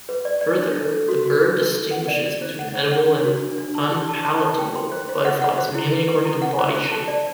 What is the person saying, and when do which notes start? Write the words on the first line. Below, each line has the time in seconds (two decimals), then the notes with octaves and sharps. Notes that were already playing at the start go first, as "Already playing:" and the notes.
Further, the bird distinguishes between edible and unpalatable butterflies mainly according to body shape.
0.09 B4
0.25 D5
0.41 D5
0.58 D4
0.76 A4
0.92 A4
1.08 F#4
1.26 F#4
1.41 B4
1.58 B4
1.75 A4
1.91 F#5
2.08 D5
2.26 D5
2.42 C5
2.59 F#5
2.75 C5
2.91 F#5
3.08 D4
3.24 F#4
3.42 D4
3.58 D4
3.75 A5
3.92 G4
4.09 A5
4.25 A5
4.41 C5
4.58 G5
4.75 C6
4.92 C5
5.09 C5
5.25 F#5
5.42 F#5
5.58 C5
5.75 E4
5.92 B4
6.08 B4
6.25 E4
6.42 F#5
6.58 C5
6.74 C5
6.92 A5
7.08 D5